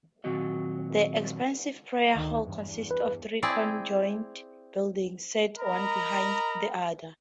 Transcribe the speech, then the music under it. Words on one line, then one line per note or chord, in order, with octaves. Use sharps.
The expansive prayer hall consists of three conjoined buildings, set one behind the other.
A#2 D#3 F#3 C4 F#4 D#5
D2 D#3
E2 G2
B4
C4 E4 G#4 D5
A#4 D#5 A#5 B5